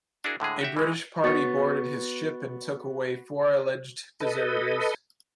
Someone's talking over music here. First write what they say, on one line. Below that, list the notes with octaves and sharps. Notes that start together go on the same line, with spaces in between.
A British party boarded his ship and took away four alleged deserters.
D4 E4 F#4 G#4 A#4
A2 D3 G#3 G#4
F#4 G4 E5
E3 G#3
B3 F#4 C#5 C#6 A6
A4 B4 D#5